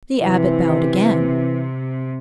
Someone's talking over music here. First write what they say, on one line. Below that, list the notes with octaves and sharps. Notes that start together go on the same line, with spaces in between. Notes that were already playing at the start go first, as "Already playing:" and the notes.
The Abbot bowed again.
C3 E3